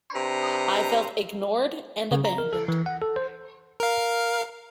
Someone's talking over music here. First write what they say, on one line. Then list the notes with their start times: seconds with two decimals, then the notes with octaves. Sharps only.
I felt ignored and abandoned.
0.13 C3 D4 B4 C5 A#5
2.11 C#3
2.25 A#5
2.38 A#4
2.53 A4
2.68 E3
2.86 F#5
3.02 A4
3.16 C5
3.80 A#4 F5